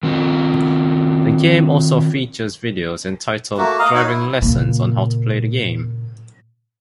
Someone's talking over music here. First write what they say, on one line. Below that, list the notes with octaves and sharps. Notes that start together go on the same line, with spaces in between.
The game also features videos entitled driving lessons on how to play the game.
D#3 C4 F4
A3 A#3 F#4
D#5 F5 A#5
D#4 F#4 C#5
E4
A#2 C#3